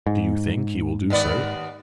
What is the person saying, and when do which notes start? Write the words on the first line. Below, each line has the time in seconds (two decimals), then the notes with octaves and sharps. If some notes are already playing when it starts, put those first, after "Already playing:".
"Do you think he will do so?"
0.07 G#2
1.10 D#2 B3 D5